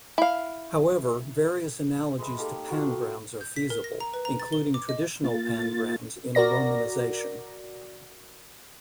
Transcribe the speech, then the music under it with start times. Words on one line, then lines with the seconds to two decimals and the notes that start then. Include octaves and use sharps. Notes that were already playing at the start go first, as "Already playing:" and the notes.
However, various analogies to pangrams are feasible, including traditional pangrams in a romanization.
0.18 E4 F5
2.18 G#3 D#5 E5 B5
2.37 A#3 D#4 G4 A4
2.70 D4 F4 F#4
2.91 G5
3.41 G6
3.56 B6
3.70 A#4
3.84 A#6
4.00 A#5
4.14 B4
4.25 A#5
4.40 A6
4.53 G7
4.74 D6
4.89 D#5
5.24 A#3 F4 A6
6.35 F#4 A#4 D5 A#6